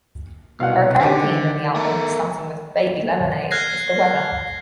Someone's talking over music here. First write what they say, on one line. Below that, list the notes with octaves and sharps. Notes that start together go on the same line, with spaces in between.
A recurring theme in the album, starting with "Baby Lemonade", is the weather.
C2 B2 F5 F#5
D3 D#3 G4 C5
A3 A#4
F6 F#6 G#6 A#6 C7